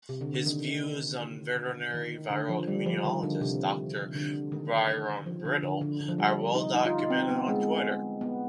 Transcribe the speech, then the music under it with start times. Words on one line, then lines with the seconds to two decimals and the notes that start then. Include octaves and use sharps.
His views on veterinary viral immunologist Doctor Byram Bridle are well documented on Twitter.
0.09 C3
0.21 D3
0.34 D3
0.46 D#3
1.94 D#3
2.30 D3
2.49 F3
2.68 G3
2.86 F3
3.05 D#3
3.23 D3
3.41 C3
4.15 D3
4.52 D#3
5.26 F3
5.45 D3
5.63 D3
5.81 D3
6.00 D3
6.09 F3
6.18 G3
6.55 D#4
6.74 D#4
6.86 F4
6.99 D#4
7.10 C4
7.29 B3
7.48 G#3
8.21 B3